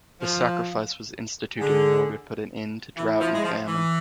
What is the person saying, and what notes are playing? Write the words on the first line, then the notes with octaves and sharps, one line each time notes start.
The sacrifice was instituted in order to put an end to drought and famine.
F3 F4
D3 G#4
E3 E4
F3
G#3
F3
E3